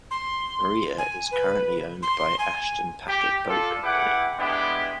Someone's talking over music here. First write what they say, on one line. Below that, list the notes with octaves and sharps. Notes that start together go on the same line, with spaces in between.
"Maria" is currently owned by Ashton Packet Boat Company.
C6
G#5
B4
C6
G#5
G4
F4 A4 D5
E4 G#4 B4 F#5 G5 D6
G#3 A3 B3 D4 E4 G4